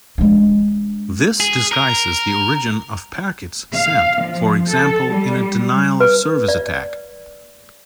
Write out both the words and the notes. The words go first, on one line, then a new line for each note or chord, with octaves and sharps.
This disguises the origin of packets sent, for example in a denial-of-service attack.
G#3 D4
G#4
A#4
F5
F3
A4
G3
B4
D5